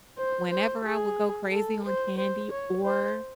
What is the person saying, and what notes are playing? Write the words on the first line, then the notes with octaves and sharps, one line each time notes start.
Whenever I would go crazy on candy or
C5
C5
G#4
A4
C5
C5
C#5
C5